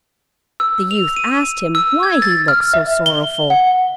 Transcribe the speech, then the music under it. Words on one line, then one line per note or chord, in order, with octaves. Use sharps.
The youth asked him why he looked so sorrowful.
E6
F7
D#7
E6
G#6
A6
F6
E5
G7
F#5